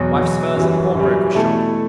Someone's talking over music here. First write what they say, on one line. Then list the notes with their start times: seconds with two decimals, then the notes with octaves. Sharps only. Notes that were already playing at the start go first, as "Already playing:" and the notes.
Wife's furs at pawnbroker's shop.
Already playing: E2 B2 F#3
0.17 E2 B2 F#3
0.56 F#2 E3 G3
0.95 F#2 E3 G3
1.35 B2 A3 E4 A4